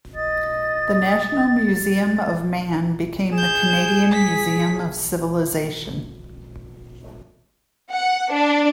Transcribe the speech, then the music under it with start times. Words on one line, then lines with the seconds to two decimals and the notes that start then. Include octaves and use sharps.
The National Museum of Man became the Canadian Museum of Civilization.
0.15 D#5 A6
3.33 G#4 G6 E7
4.12 B6
7.91 F#5
8.32 D4